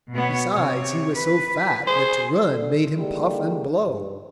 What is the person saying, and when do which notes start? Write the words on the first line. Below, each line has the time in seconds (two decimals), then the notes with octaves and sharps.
Besides he was so fat that to run made him puff and blow.
0.13 B2 B3 C#5
0.54 C3 C#5
1.14 B4
1.87 G#4 C5
2.50 D3
2.98 D3 G3 G#3 A#3 E4 G4
3.87 G2